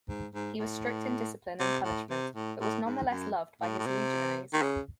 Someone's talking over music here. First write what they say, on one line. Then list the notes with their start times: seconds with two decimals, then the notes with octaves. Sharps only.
He was strict in discipline and punishment but was nonetheless loved by his legionaries.
0.09 G#2
0.34 G#2
0.59 A2
1.60 C3
1.84 A2
2.10 C3
2.35 A2
2.61 A2
2.86 G#2
3.11 F#2
3.61 A2
3.78 A2
3.86 C3
4.53 D#3
4.62 C#3